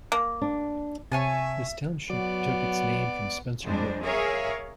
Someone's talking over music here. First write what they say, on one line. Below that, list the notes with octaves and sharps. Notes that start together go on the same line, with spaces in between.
This township took its name from Spencer Brook.
A#3
D4
C3 C#5 E5 G#5 A5
F#3 B3 D5
F2 G3 G#3 D4 C5
G#4 A#4 C#5 E5 F5